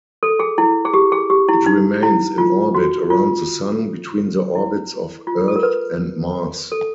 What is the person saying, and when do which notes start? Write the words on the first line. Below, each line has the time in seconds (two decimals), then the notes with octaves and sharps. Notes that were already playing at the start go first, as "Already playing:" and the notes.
It remains in orbit around the Sun, between the orbits of Earth and Mars.
0.23 A4
0.39 G#4
0.58 E4
0.85 G#4
0.94 G4
1.12 G#4
1.30 G4
1.48 E4
1.66 D#4
2.03 E4
2.38 F4
2.75 F#4
3.10 F4
4.55 E4
5.27 F4
5.48 A4
5.56 A#4
5.63 B4
6.72 A4